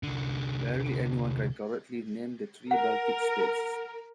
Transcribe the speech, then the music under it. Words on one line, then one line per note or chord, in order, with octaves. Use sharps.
Barely anyone can correctly name the three Baltic states.
C2 D3
A#4 F#5